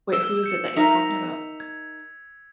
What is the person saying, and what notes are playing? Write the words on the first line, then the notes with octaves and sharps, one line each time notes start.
Wait, who is it that you're talking about?
E6 E7 G7
G6 C#7 E7
D#4 A#4 E5 B6 F7
G#6